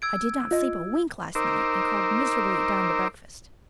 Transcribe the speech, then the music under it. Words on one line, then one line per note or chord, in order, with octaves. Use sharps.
I did not sleep a wink last night and crawled miserably down to breakfast.
E6 G#6 D7
F4 D#5
D#4 A#4 C5 D6 E6